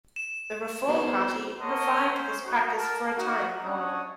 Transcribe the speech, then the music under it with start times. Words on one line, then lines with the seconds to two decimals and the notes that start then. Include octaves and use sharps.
The Reform Party revived this practice for a time, however.
0.16 E7
0.88 B3 F#4 G#4 C5
1.60 A#4 C#5 D#5 F#5 A5 C6
2.10 C#4 C5
2.45 D#4 F#4
2.74 A#4 A5
3.17 D#4 F#4
3.63 C#4 D4 C#5 D#5 F#5 D#6